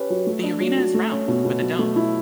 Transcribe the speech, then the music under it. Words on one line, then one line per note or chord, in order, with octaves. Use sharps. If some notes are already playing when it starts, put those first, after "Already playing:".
The Arena is round, with a dome.
Already playing: C#4 G4 B4
F#3
A3
D4
F#3
F#3
A3
C#4
B2
B2
F#3
A3
E4